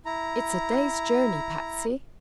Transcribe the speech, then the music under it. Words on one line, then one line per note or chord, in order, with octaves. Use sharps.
"It's a day's journey, Patsy."
E4 A#5